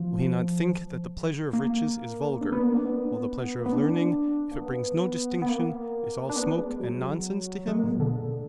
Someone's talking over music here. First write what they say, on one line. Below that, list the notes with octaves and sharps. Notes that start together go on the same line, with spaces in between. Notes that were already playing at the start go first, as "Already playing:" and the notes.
Will he not think that the pleasure of riches is vulgar, while the pleasure of learning, if it brings no distinction, is all smoke and nonsense to him?
Already playing: F3
A#3
D4
B3
A#3
D4
B3
A#3
B3
D4
A#3
B3
B3
A#3
D4
B3
G#3
F#3
G#3
A#3
A#2
B2
D3